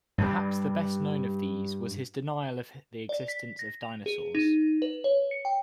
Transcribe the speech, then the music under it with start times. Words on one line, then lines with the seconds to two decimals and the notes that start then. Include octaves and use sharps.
Perhaps the best-known of these was his denial of the existence of dinosaurs.
0.18 G2 G3
3.09 D5
3.28 B6
3.59 A#6
3.83 F7
4.06 G#4
4.35 D#4
4.82 B4
5.04 C#5
5.31 C#7
5.45 G5